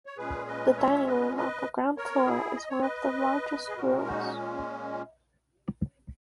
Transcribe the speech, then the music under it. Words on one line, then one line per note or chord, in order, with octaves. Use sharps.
The dining room on the ground floor is one of the largest rooms.
C#5
A#2 G#3 C#4 G#4 B4
B4 D#5
D#5
C#5 E5
B4 D#5
B4 D#5
A#4 C#5
E4 G#4
D#5
C#5
B4 D#5
G#4
A#2 G#3 C#4 F#4 A#4
D#4 F#4